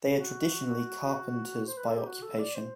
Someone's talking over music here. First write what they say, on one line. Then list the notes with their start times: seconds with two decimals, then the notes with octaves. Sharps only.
They are traditionally carpenters by occupation.
0.15 F#4
1.66 C5
1.77 B4
1.87 A4
1.97 G4
2.07 F#4
2.22 A4
2.39 D5
2.55 C5